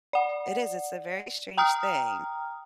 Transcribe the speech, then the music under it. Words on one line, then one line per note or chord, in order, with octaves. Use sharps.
it is, it's a very strange thing.
D5 F#5
G5 A#5 D#6 F6